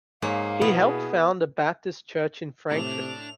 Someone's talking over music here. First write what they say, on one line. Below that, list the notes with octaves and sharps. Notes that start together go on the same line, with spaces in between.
He helped found a Baptist church in Frankfort.
G#2 A#3 G#4 C#5 F5
B2 B3 E4
G#4
A2 C3 D4 F7